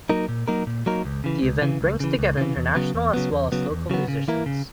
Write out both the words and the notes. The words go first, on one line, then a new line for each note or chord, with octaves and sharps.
The event brings together international as well as local musicians.
F#3 A#3 D#4 A#4
A#2
F#3 A#3 D#4 A#4
A#2
F#3 A#3 D#4 A#4
C#2
C#3 E3
C#2
C#3 E3
C#2
C#3 E3
C#2
C#3 E3
E2
C#3 F#3 B3
E2
C#3 F#3 B3
E2
C#3 F#3 B3
E2
C#3 F#3 B3
C#3
E3 A#3 E4 A#4
C#3